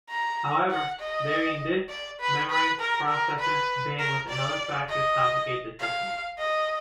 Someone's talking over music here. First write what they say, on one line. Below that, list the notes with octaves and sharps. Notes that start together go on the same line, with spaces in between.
However, varying disk, memory, processor, bandwidth and other factors complicate this estimate.
A#5
F#5
D#5
D5
B4
B4
A#4
A#4
B4
A#4
D5
D#5
F5
D#5